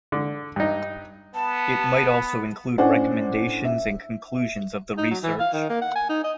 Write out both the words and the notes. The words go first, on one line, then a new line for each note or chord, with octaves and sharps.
It might also include recommendations and conclusions of the research.
D3
G2 D#4
B3 A5
A2 C#4 D4 C5 F#5
E5
D#4
F#3
E3
F5
D#3
A#3
F#5
G#5
D#4
D#5